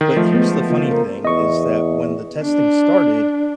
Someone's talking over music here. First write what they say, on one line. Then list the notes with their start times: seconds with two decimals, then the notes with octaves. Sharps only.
but here's the funny thing, is that when the testing started,
0.01 D#3
0.16 F3 A3 D#5
0.33 G#3 B3
0.70 C#3 A#3 F4
0.91 A#4
1.25 E2 D#5 C#6
2.43 D4